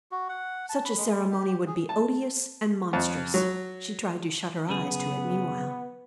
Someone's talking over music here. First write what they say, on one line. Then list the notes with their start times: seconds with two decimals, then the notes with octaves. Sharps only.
Such a ceremony would be odious and monstrous; she tried to shut her eyes to it meanwhile.
0.12 F#4
0.29 F#5
0.69 A5
0.85 B5
0.98 G#3
1.31 G4
1.67 G#4
1.89 A5
2.93 F2
3.34 F#3
4.69 F#2 C#3 B3 G#4